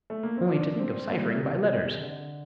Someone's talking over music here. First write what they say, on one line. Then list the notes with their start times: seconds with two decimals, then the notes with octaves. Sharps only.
Only to think of cyphering by letters!
0.10 A3
0.23 A#3
0.37 C4
0.50 D4
0.79 C4
1.09 A#3
1.18 G3
1.24 A3
1.39 C3
1.97 D3